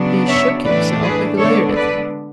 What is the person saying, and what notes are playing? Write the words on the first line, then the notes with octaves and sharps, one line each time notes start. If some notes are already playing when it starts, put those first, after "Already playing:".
He shook himself and glared at them.
Already playing: C#3 F#3 B3 D4
C#5 E5
A2 E3 A3 D4 B4 D5
G#4 B4
D3 G#3 B3 D4 A4 C#5
B4 D5